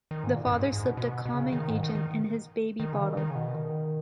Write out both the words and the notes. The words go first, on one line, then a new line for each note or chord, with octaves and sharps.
The father slipped a calming agent in his baby bottle.
D#3
G#2
A#2
G#2
F#2
G#2
G#2
B2
B2
B2
C#3
D#3
G#2
D#3
D#3
D#3
C#3
D#3
D#3
C#3
B2
D#3